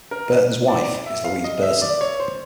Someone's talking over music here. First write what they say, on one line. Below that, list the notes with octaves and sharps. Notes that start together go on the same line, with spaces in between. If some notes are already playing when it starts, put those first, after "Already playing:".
Burton's wife is Louise Burton.
A#4
D5
E5
F5
D#5
E5
D5
C#5
C5